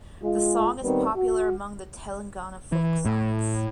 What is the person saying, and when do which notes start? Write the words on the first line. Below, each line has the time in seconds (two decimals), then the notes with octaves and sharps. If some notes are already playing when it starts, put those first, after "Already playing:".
The song is popular among the Telangana folk songs.
0.22 G#3 F4
0.82 D#3 G3 B3 C4
1.16 F#4
2.72 E3
3.06 A2